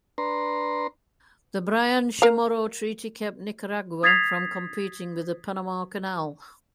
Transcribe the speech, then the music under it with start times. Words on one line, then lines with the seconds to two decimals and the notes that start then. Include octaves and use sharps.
The Bryan-Chamorro Treaty kept Nicaragua from competing with the Panama Canal.
0.18 D4 B4 A#5 C6
2.22 A#4 F5 A#5
4.03 D#6 G#6 A6 B6 C7 F7